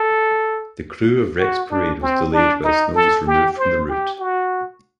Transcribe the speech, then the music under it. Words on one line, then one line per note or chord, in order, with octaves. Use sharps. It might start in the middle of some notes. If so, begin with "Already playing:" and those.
The Krewe of Rex Parade was delayed while snow was removed from the route.
Already playing: A4
F#4
D4
C4
D4
D#4
A4
G4
C5
G4
F#4